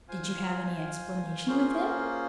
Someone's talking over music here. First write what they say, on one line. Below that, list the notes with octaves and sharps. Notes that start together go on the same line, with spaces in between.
'Did you have any explanation with him?
F4 C5 F5 G#5
A#3 C#4 F4 G#4 C5